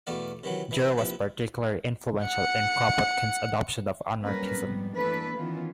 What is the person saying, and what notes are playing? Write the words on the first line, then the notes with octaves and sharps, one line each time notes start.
Jura was particularly influential in Kropotkin's adoption of anarchism.
E2 B2 A3 D5 F5
C3 D#3 E3 F#3
E3 D#4 E4
A#1 C3 F3 E4 B4
F#5 C#7
F#3 G3 A#3 C#4 A#4 B4
F2 G#2 G3 B3
E3 A3 A#3 D4 A4 B4
D#3 E3 B3 C#4 F4